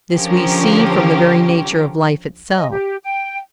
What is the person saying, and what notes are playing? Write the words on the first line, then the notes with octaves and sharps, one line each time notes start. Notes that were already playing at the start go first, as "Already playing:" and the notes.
This we see from the very nature of life itself.
D3 F3 C#4 G4 A#4
D#5
G4
G5